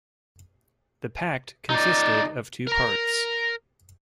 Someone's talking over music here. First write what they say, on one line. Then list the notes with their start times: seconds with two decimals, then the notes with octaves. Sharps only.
The pact consisted of two parts.
1.70 D#4 D5
2.67 A#4 A#5